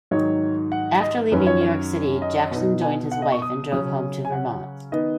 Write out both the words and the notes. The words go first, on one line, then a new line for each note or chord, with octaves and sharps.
After leaving New York City Jackson joined his wife and drove home to Vermont.
G#2 D#3 F#3 D#4 C#5
F#5
D#5
F#2 D#3 F#3 C#4 B4
C#5
C#5
D#5
B2 B3 D#4
G#5
F#5
D#5
C#6
D#6
C#3 F#3 C#4 D#6
G#5
F#5
D#3 B3 D#4 D#5